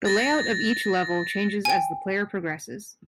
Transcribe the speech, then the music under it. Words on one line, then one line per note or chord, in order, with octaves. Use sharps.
The layout of each level changes as the player progresses.
A6 A#6
G5 G#5